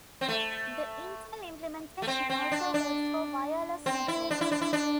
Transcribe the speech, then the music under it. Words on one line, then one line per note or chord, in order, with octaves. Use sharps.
The Intel implementation also works for wireless networks.
C4
A3
A3
C4
C4
D4
D4
C4
E4
D4
E4
D4
E4
D4